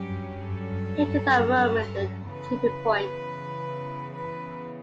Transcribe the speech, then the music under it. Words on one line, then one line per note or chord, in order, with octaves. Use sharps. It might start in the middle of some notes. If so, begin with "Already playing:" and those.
He called that moment the "tipping point".
Already playing: G2 F#3 C#4 G4
A4
C#3 E3 B3 B4
B4